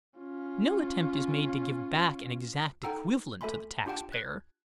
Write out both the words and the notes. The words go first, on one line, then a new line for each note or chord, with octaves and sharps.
No attempt is made to give back an exact equivalent to the tax-payer.
C#4 F4
D#4 A4 F#5 G5 A#5 E6
A3 A4 E5 G#5 B5 C6
D4 F4 G4 F#5 G5 A5
F#6 G#6